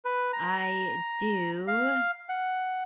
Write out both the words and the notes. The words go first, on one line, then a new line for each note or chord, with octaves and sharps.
I do.
B4
A#5
F5
F#5